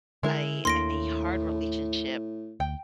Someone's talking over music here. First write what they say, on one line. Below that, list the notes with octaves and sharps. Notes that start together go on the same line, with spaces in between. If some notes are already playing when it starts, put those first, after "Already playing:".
I a hard relationship
D3 G#3 E4 A#4
D#2 A2 A3 A#3 D4 C6 A#6 D7
D2 G5